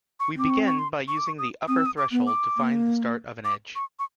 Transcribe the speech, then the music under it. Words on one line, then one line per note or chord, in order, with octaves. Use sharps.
We begin by using the upper threshold to find the start of an edge.
C#6
C4 D6
C#6
C#6
C6
C#6
D6
C#6
D#6
C4 D#6
E6
D#6
D6
B3
D6
A#3
D6
C#6
C#6